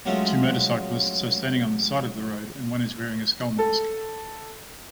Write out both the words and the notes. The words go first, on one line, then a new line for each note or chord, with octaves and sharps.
Two motorcyclists are standing on the side of the road and one is wearing a skull mask.
F#3 G#3 A3 C#4 F4
A4